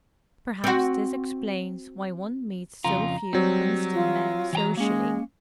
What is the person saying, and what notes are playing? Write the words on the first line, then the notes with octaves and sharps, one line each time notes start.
Perhaps this explains why one meets so few Princeton men socially.
C4 F#4
F2 C#3 F4 A#5
F#3 G3 C4
F4
E3 G5 A#5
G#3 A#3 C#4